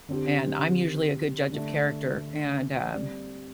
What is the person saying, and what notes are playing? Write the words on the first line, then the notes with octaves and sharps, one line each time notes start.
and I'm usually a good judge of character, and, um,
D3 C4 G4
D3 A3 D4
G3 C4 G4 D5